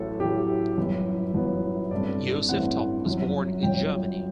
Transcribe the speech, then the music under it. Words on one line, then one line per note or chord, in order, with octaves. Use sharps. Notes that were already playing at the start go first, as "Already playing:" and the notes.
Yoseftal was born in Germany.
Already playing: A1 A2 F#3 A4
A1 A2 F#3 G4
G1 F#2 E3 B3
G1 F#2 E3 B3
A1 G2 E3 A3 C4 D5
A1 G2 E3 A3 C4 F#5
G1 F#2 F#3
G1 F#2 F#3 G5